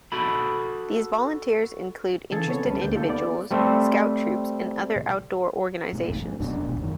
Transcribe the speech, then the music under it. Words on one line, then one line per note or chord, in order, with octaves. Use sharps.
These volunteers include interested individuals, scout troops, and other outdoor organizations.
F#4 A4 B5
C#3 E3 G#4 A4 G#6 A6
B3 C4 A4 C#5
D2 G3 C#4 B4 A5
D2 A#3 G6
D#4 F4 G4 A4 A#4
B3 D5
G3 A3 C4 C5
G#2 B2
G#1 F2 G#2
G#2
F1 F#2 B2 D4
D#1 G#1 C#2 G#2
F#2 D#3